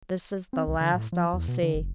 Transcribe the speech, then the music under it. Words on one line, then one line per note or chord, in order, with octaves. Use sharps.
This is the last I'll see.
C4
C2
D3
A2
F3
E2
B2
D3
F#1